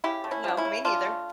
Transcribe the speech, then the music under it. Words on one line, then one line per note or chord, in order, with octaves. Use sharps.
Uh, no, me neither.
C#3 E4 G4
A3
C#4 E4
F3 D4
C#4 E4
C#3
C#3 D4 F4
A3